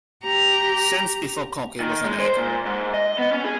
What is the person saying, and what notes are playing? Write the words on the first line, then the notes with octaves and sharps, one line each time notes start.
Since before cocky was an egg.
G4 A#5
D#3
G#3
C5
A#2
G#2
D#5
B3
C#4
G#4